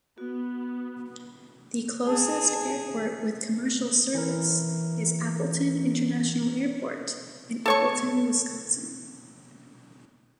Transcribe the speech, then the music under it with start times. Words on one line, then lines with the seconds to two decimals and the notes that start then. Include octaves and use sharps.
The closest airport with commercial service is Appleton International Airport in Appleton, Wisconsin.
0.18 B3 F#4
2.07 G#4 A5
4.15 E3 A#4
7.66 A4 C#5 C#6